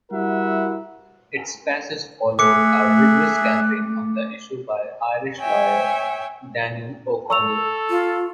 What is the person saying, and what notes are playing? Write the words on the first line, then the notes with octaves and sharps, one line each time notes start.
Its passage followed a vigorous campaign on the issue by Irish lawyer Daniel O'Connell.
G3 E4 F#4 A#4 E5 F#5
A3 G#4 E5 D6 F#6 C#7
C#5 E5 G5 G#5
A4 C#6 E6 F7
F4